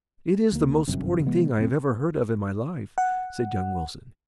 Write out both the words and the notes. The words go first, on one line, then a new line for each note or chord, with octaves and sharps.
"It is the most sporting thing I ever heard of in my life," said young Wilson.
D2 A#3
G1 C2 F#2 C3
C3 E3 G#3 B3
F1 C4
F#5